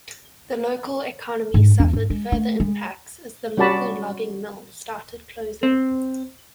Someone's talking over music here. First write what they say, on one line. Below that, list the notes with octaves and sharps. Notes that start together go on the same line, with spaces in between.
The local economy suffered further impacts as the local logging mills started closing.
G#2
E2
G#2
G#3
A3
G#3
G3 C#4 F#4 D5 A5 B5
C4